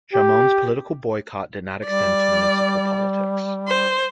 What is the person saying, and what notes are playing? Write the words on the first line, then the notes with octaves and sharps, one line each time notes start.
Chamoun's political boycott did not extend to municipal politics.
G4
G3 D5
C5